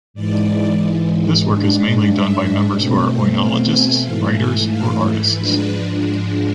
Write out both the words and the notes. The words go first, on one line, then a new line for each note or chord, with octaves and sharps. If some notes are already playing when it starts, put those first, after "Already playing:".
This work is mainly done by members who are oenologists, writers or artists.
G#2 E3 G#3 D5
G#2 G#3 D4
E5
B2 A3 C4
F5
G#5
G#2 E3 A3 F5
G#5
F5
G#2 F3 G#3 D4 B4